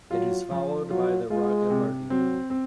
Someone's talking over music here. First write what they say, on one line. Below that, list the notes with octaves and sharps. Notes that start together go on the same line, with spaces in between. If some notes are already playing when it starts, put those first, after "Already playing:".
It is followed by the ragavardhini.
F#3 F4
F3
F#3 F4
G#3 F4
C3
F#3 C4
C4